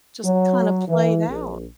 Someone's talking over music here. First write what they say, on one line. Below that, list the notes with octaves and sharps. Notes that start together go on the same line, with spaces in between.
Just kinda play it out.
F#3
E3
A#1